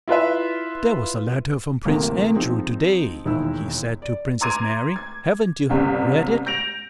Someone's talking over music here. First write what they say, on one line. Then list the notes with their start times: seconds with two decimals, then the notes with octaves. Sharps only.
"There was a letter from Prince Andrew today," he said to Princess Mary- -"Haven't you read it?"
0.08 E4 F4 B4 E5
1.85 A1 D2 C3 A3 A#3 A#4
2.36 F3 C4 D#4 G#4
3.25 E1 D#2 D#4 E4 E6
4.02 D5
4.41 A#5 C6 D6 G#6 D#7
4.96 G#6
5.69 G1 C2 C#3
6.46 G6 A#6 D7 F7 F#7